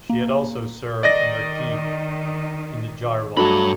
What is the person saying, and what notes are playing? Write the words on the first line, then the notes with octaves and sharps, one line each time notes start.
She had also served under Kieth in the Gironde.
A#3
D#3 D5 D#5 A#6
G2 F#3 A3 D4 C#5 B5